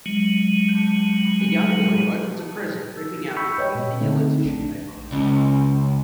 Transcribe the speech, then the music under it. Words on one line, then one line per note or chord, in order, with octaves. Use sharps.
A young boy opens a present ripping out the pink and yellow tissue paper.
F#3 G#3
E6
B5 C#6 E6 G6 B6 C#7
B4 C#5 D#5 G5 C#6
A#2 B3
D3 A3 C4 D#4
A#1 D4
C#2 C#4